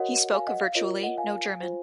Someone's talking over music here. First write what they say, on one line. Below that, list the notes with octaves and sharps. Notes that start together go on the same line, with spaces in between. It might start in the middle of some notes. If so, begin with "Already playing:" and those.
He spoke virtually no German.
Already playing: F#4 A#4 C#5 D#5 F#5
F5 G#5
D#5 F#5
F5
F4 A#4 C#5 D#5
D#5 F#5
F5 G#5
F4 C5